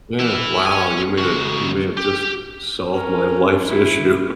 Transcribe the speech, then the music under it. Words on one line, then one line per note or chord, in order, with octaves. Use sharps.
Yeah, wow. You may have you may have just solved my life's issue.
E3 E4
C#5 G#5
C#2 F#4
G4
C#4 A#4
E4